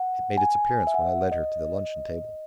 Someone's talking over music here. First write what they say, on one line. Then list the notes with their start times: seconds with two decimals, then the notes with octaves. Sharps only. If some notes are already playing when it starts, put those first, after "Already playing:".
It made its appearance when I led her to the luncheon table.
Already playing: F#5
0.38 G#5
0.87 E5
0.94 F#5
1.32 D#5